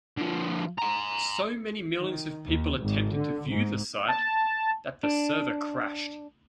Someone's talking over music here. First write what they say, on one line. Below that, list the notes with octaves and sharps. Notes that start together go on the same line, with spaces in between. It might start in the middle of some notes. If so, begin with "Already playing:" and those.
So many millions of people attempted to view the site that the server crashed.
D3 F3
G#5 A#5
D#3
D#2
G#1
D3
G#2
A5
D4